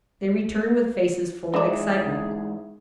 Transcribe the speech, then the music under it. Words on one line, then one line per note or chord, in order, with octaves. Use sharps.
They returned with faces full of excitement.
G#2 E3 D#4 G#4 D5 E5